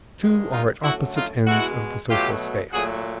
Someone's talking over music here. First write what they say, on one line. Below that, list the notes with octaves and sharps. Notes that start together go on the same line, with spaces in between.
The two are at opposite ends of the social scale.
G2 D#3 G#3
D#4 F4
F#2 D3 F#3 A3 E4 F#4
D#4 F4
B2 G#3 E4 F#4
B2 F#3 A3 F4 G4
A#2 F#3 A3 F#4 G#4